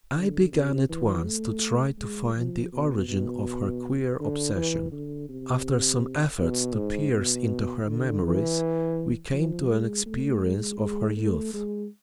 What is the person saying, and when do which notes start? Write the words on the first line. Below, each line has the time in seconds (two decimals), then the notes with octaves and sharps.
I began at once to try to find the origin of her queer obsession. After some efforts to pierce into her memories, we came to an experience of her youth.
0.15 D3
0.52 C3
0.89 E3
1.25 A3
1.98 G#3
2.35 F3
2.72 B2
3.08 B2
4.20 D3
4.55 E3
4.92 D3
5.29 C3
6.39 B2
6.75 G#2
7.13 B2
7.86 D3
8.22 E3
9.33 F3
9.69 G#3
10.06 A3
10.42 G#3
10.79 G#3
11.17 A3
11.54 G#3